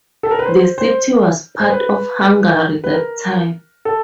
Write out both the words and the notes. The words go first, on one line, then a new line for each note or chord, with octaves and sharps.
The city was part of Hungary that time.
A4
A#4
B4
C5
C5
C5
B4
B4
A#4
A4